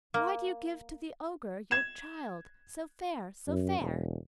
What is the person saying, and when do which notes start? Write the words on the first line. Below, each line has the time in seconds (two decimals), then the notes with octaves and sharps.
Why do you give to the ogre Your child, so fair, so fair?
0.14 A#3
1.71 G#6 E7
3.47 F#2
3.79 E1